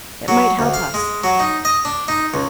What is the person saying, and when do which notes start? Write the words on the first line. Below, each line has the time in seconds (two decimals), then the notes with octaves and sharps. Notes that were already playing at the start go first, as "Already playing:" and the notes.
It might help us.
0.28 F#3
0.59 D2
0.74 F5
0.94 G#3
1.24 F#3
1.40 D#4
1.65 D#5
1.85 D4
2.08 D#4
2.34 C#2